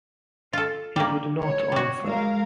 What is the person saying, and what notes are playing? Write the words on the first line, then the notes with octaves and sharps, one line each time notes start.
He would not answer.
F4 A4
G3 A#3
C#5
G3 F#4
G#3 A#4 F5